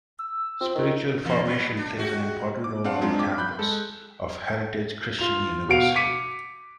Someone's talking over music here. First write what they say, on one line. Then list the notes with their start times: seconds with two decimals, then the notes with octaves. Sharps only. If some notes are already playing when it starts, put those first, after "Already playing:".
Spiritual formation plays an important role on the campus of Heritage Christian University.
0.19 E6
0.61 C4 F4
0.75 D#3
1.25 E2 A#3
1.45 B2 F#3 G3
1.77 D4
1.97 G#3 F#4 G4
2.64 D6
2.84 C4 D4 F5 F#5
3.01 G#3 C4 D4 D#4 F4
3.19 D6
3.38 B5 F#6 G6
3.59 G#3 A4
5.19 F4 F7
5.69 B2 F#4 F5 D7 F7
5.95 D6 B6 C#7 D#7